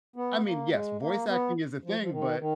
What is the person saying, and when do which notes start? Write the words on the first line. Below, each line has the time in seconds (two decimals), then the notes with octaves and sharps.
I mean, yes, voice acting is a thing, but
0.16 B3
0.44 A#3
0.72 G#3
0.99 A#3
1.27 B3
1.84 F3
2.00 F3
2.11 D#3
2.39 D#3